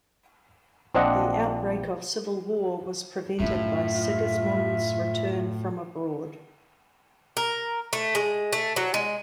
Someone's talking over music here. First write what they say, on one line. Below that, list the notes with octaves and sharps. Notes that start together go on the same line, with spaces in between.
The outbreak of civil war was prevented by Sigismund's return from abroad.
A#1 F3 C4 D4 D#5 F#5
F#2 A2 D4 F4 E5
A#4
A3
G#3
A3
F#3
G#3